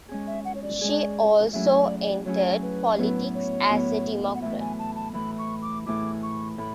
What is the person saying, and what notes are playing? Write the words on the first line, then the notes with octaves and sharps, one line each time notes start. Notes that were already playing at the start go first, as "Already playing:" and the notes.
She also entered politics as a Democrat.
G#3 C#4 G#4
E5
F#5
C#5
D5
G#3 C#4 G#4
F#3 A3 C#4 E4 G#4 E5
D5
D5
F#3 A3 C#4 E4 G#4 C#5
B4
A2 F#3 B3 E4 B4
C#5
A2 F#3 B3 E4
F#5
A2 E3 A3 E4 E5
G#5
A5
A5
A2 E3 A3 E4 B5
C#6
D6
A2 E3 A3 E4 G#4 D6
C#6
A2 B5